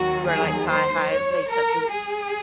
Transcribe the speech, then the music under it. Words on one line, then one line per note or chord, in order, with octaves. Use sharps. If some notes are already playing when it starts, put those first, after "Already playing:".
Did you wear, like, thigh high lace up boots?
Already playing: D#2 D#3 F#3 F#4
G#4
C5
C#5
A#4
G#4